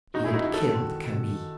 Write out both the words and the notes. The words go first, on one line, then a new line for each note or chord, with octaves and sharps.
He had killed Camille.
E2 D#4 F#4
E4 G#4
E2 D#4 F#4
D#4
G#3 F#4 A4
D#3